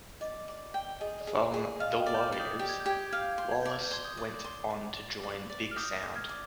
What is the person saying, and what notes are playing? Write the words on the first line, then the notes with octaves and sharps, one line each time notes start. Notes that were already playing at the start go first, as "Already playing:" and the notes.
From The Warriors, Wallace went on to join Big Sound.
D5 D#5
D5
G5
G#4 D#5
D5
G#4
D5
G#4
D5
D#5 F5
D#5 G5
D5
G6
D6 F6
D5
D#6 G6
G4 G6
G#6
G6
G4 G#6
G6
F5 G#6
G6
G#6
C6 G6
G#6
D5 G6
G#6
G6
C6 G#6
D#6 G6
D5
C6
D5
D5
D5
D5
F6
D6 D#6 G6
D6
F6 G#6
D5